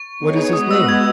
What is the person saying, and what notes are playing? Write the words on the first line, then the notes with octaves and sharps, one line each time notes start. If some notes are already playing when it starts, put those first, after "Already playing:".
"What is his name?"
Already playing: C#6
B3 D#4 G#4 C#5
G#3 B3 F#4 B4 D#5 D#6
E6
G#6